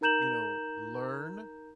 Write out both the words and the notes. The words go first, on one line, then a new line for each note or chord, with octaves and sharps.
you know, learn,
D#4 A#4 A#5 G6 E7 F#7